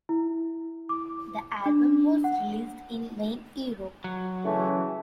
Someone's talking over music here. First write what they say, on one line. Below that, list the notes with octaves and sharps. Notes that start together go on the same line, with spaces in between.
The album was released in main Europe.
E4
D6
D4
F#5
F#3
C#3 E3 A3